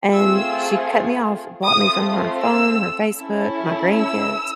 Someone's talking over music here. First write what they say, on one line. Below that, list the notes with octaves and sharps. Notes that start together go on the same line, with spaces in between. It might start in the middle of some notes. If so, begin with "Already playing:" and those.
and she cut me off, blocked me from her phone, her Facebook, my grandkids,
A3 C4 F4 G#4 E6
A3 C4 F4 D#6
E6
C#4 E4 A4
E6